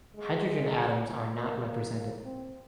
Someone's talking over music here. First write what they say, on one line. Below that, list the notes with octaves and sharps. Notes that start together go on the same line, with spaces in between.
Hydrogen atoms are not represented.
G#3
A#3
A#3
A#3
C4